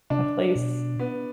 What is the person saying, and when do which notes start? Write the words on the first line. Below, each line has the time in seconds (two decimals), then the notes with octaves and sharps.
a place,
0.10 C3 D4
0.56 B2
0.99 B3